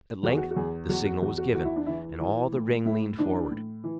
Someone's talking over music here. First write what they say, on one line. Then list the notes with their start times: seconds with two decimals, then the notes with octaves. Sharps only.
At length the signal was given, and all the ring leaned forward.
0.23 E2 F#4
0.30 G#4
0.37 F#4
0.51 F#4
0.56 E2 G#4
0.89 E2 F#4
1.05 F#4
1.22 E2 F#4
1.38 F#4
1.55 E3 F#4
1.65 E4
1.76 D4
1.86 E3 E4
2.20 E3
2.53 A2
2.85 A2 E4
3.19 E3 D4
3.51 A2
3.84 E3